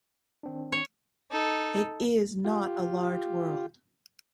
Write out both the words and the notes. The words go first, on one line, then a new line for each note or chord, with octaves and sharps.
It is not a large world.
D#3 C4 D4
C#5
D#4 A4
F4 G4